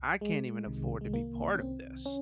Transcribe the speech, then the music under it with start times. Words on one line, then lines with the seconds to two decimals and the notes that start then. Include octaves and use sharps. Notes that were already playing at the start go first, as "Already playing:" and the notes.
I can't even afford to be part of this,
Already playing: C2
0.21 G#3
0.67 C2 C3 D#3
1.01 G#3
1.14 A#3
1.55 C#4
1.60 C4
2.06 C#4